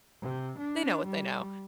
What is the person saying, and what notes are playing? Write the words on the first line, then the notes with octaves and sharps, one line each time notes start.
they know what they know,
C3
D4
G3